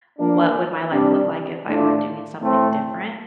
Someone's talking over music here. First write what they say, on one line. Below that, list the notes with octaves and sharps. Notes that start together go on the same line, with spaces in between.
what would my life look like if I were doing something different,
F3 A#3 D4
C3 G3 D4
A2 A3 D4 F4
A2 A3 C4